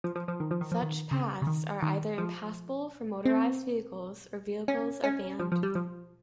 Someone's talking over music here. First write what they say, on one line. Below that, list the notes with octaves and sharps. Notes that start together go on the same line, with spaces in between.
Such paths are either impassable for motorized vehicles, or vehicles are banned.
F3
F3
F3
D#3
F3
D#3
F3
D#3
C#3
C#3
D#3
D#3
F3
C4
C#4
C#4
F3
F3
G3
F3